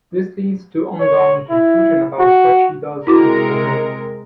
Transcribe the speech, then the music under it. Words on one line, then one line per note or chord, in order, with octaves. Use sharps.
This leads to ongoing confusion about what she does and for whom.
C#5
E4
F#4
C3 G#3 E4 F#4 A#4 D6